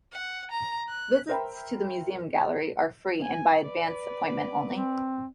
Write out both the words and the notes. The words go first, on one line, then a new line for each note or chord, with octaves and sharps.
Visits to the museum gallery are free and by advance appointment only.
F#5
A#5
F#6
A#4 C5 E5 G5 A#5 B5
G#5
B4 D5
C4